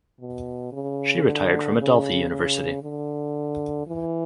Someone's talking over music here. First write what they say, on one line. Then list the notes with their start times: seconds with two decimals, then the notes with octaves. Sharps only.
She retired from Adelphi University.
0.20 B2
0.72 C#3
1.25 D3
1.77 C#3
2.30 C#3
2.82 D3
3.87 E3